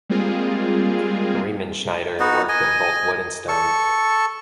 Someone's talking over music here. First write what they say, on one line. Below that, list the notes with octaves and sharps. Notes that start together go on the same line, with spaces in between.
Riemenschneider worked in both wood and stone.
G3 G#3 A#3 C4 F4 G#4
B3 D#4 F#4
D#5 G#5
A4 C#6